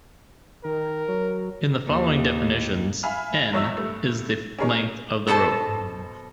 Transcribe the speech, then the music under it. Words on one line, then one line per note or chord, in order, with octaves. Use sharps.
In the following definitions, "N" is the length of the rope.
D#3 A#4
F#3
D#2
E5 F5 G#5 B5 F6
A#1 E2 C#5 D#5 E5 E6
G2 A3
C#4 D#4 G#4 A#4 C#5
B2 A4 C5 A5